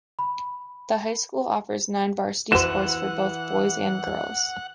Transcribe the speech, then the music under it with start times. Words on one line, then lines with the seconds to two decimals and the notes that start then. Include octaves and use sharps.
The high school offers nine varsity sports for both boys and girls.
0.19 B5
2.52 E3 F#4 C5 F#5 E7